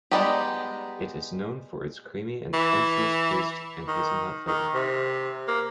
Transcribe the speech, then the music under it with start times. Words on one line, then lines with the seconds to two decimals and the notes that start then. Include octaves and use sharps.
It is known for its creamy and unctuous paste and hazelnut flavour.
0.11 G3 G#3 B3 D#4 G4
2.54 E3
3.88 D#3
4.48 D#3
4.74 C3
5.48 A#3